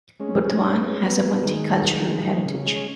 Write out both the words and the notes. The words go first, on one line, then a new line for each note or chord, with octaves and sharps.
Burdwan has a multi-cultural heritage.
G#3 C#4
D#4
C#4
B3
G#3 C#4
F#3 B3
D#3 G#3
D#3
C#3
G#3 C#4